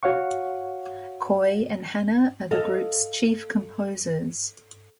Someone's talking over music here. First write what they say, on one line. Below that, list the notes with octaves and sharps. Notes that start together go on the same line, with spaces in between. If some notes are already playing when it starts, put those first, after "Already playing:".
Coy and Hannah are the group's chief composers.
F#4 C#5 F5 F#5 C#6
A4 D#5 F5